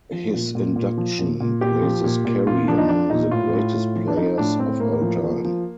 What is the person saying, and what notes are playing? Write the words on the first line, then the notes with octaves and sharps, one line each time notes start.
His induction places Carey among the greatest players of all time.
F3
A#2
A#2
A#2
F3
A#2
A#2
A#2 G4
F3
A#2
A#2
A#2 F4
F3 D4
D#4
F3 D4
A#2 D#4
A2 F4
A2
A2
F3
D4
F3 D#4
A2 D4
A2 C4
A2 A#3
F3
F3
F3